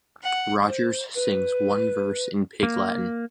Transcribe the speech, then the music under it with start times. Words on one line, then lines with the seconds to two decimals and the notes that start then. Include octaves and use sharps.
Rogers sings one verse in Pig Latin.
0.23 F#5
0.67 C5
1.14 B4
2.63 A#3